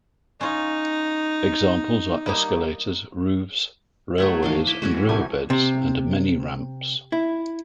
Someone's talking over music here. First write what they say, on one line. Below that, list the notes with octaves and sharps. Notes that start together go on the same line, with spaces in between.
Examples are escalators, roofs, railways and riverbeds and many ramps.
C#4 D#4 F4
G3 A#3 D#4
F#3 A3 C#5 F#7
E2 G#2 D#3 D4 D#5 F5
E4 D#5 E7
E3 G#3 C#4 F#4
C2 G#5 A5 D6
C3
E4